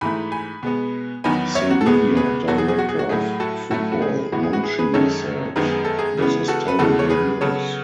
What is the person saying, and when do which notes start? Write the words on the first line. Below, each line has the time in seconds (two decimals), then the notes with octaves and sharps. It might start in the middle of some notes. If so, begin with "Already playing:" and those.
Sevilla director of football Monchi said, This is terrible news.
0.01 G#2 E3 A3 G#5 B5
0.32 G#5 B5
0.63 B2 G#3 B3
1.24 E2 D#3 F#3 B3 G#5 B5
1.55 C#5 E5
1.70 F#4
1.81 A4
1.86 E2 B2 G#3 B3 G#4
2.17 G#4 B4
2.47 E2 B2 F#3 F#4 A4
2.58 G#4
2.68 G#4
2.79 F#4
2.89 G#4
2.99 F#4
3.09 A2 F#3 A3 G#4
3.40 F#4 A4
3.71 A2 F#3 A3 F#4 A4
3.92 F#4
4.02 G#4
4.32 A2 E3 G#3 B3 F#4
4.43 G#4
4.53 F#4
4.64 G#4
4.79 G#4 B4
4.94 F#2 D#3 G#3 A4 C#5
5.56 F#2 D#3 G#3 B3 G#4 B4
5.71 G#4
5.85 A4
5.99 G#4
6.17 C#3 E3 G#3 B3
6.48 F#4 A4
6.68 B4
6.79 E2 C#3 E3 G#3 F#4 A4
6.99 C#5
7.09 G#4 B4
7.41 C#3 F#3 B3 A4 C#5